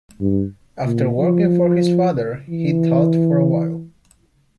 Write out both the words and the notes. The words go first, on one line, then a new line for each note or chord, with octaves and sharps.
After working for his father he taught for a while.
G2
A#2
F3
E3